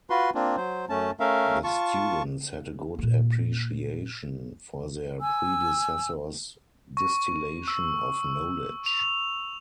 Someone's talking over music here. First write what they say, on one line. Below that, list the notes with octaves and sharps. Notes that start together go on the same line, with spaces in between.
The students had a good appreciation for their predecessors' distillation of knowledge.
F4 F#4 B4 C6
A#3 C4 D4 F4
F#3 C5
F#2 A3 C#4 A5
A3 C#4 A#4 E5 F5
F4 A5 C#6
A#2 A#3
G#5 E6
C#6
E6
F7